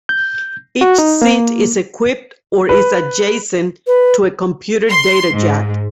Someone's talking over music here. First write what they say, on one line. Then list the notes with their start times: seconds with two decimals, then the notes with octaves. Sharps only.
Each seat is equipped or is adjacent to a computer data jack.
0.09 G6
0.81 F#4
0.98 D#4
1.22 A#3
2.69 B4
3.87 B4
4.90 C6
5.33 G#2